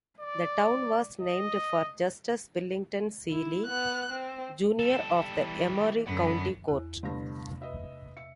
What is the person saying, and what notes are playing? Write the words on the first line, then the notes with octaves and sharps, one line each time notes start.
The town was named for Justus Wellington Seeley, Junior of the Emery County Court.
D5
D#5
E4
B3 F#6
C4
G3 A4
E3
F#2 D3 F#5 B5
E2 E4 F#6
G1 G2 C3 A3 D4 A#6
B4 D#5 E5
E5 C#7